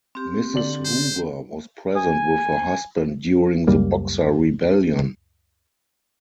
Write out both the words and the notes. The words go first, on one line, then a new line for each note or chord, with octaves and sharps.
Mrs. Hoover was present with her husband during the Boxer Rebellion.
C4 G4
D3 D5 F#7
C5
G#5
C#2 F#2 G3 A#3